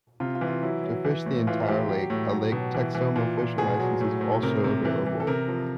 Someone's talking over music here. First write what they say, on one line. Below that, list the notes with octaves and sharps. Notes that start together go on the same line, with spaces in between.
To fish the entire lake, a Lake Texoma fishing license is also available.
C3 F4
F4
E3
F4
F#3 E4
F#3
E3
A2
E3 F4
E3 G4
F#3 G4
A2
F#3
B2
E3
E3
A#2
A#2
B2 G#4
F#3
A2
A2
C3 A#4
C3
E3
E3
A4
C3 A#4
F3